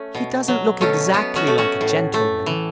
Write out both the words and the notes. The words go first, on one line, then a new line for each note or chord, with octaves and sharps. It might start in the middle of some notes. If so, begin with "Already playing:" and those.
"He doesn't look exactly like a gentleman."
Already playing: A3 C#4
B2
F#3
B2 A3 C#4
B2 B3
C#4 F#4
A3
C#4 F#4
A2
A3
E3